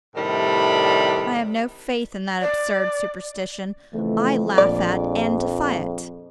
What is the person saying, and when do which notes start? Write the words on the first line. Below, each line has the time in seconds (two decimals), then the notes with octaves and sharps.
I have no faith in that absurd superstition--I laugh at and defy it.
0.15 A2 C3 D#3 G3 D4 B5
2.41 D5
3.93 F2 C#3 E3 A3
4.58 A#1 D5